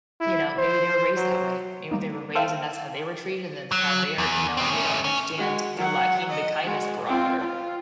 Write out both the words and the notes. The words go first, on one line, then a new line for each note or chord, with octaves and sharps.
you know, maybe they were raised that way, maybe they were raised and that's how they were treated, and that's how they are, you know, and they don't understand they're lacking the kindness barometer.
E4
C5
F#3
G3 A#3 D#4
A4 C5 E5 F5 G5 A5
F#3
E2
B2 C4
A3 C#4
C#4
G#3 F#4
F#3 F#5
D#5
G#3 F#4
C4 F4
F4